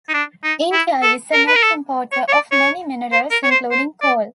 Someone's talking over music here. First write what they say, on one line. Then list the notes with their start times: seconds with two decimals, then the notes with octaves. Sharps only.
India is a net importer of many minerals including coal.
0.09 D#4
0.14 D4
0.44 D#4
0.73 E4
1.02 A4
1.33 A#4
1.48 B4
1.56 A#4
1.63 A4
2.12 C#5
2.28 C#5
2.33 D5
2.52 C#5
3.12 C5
3.31 A#4
3.44 C#5
3.51 C5
3.71 C5
4.02 D5